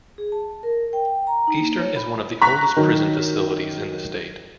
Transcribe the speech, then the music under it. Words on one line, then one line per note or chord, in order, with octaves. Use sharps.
Eastern is one of the oldest prison facilities in the state.
G#4
A5
A#4
G5
A#5
D#4
A#3
C#5
B5
A#5 C#6 F#6 B6
D#3 F#3